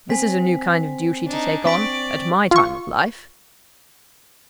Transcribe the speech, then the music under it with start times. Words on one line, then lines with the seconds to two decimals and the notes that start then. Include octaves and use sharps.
This is a new kind of duty to take on--at my time of life.
0.10 C4 G#5 B6
1.27 D4 D#4
1.65 C4 D5 C#6 B6 D7
2.51 F4 C#6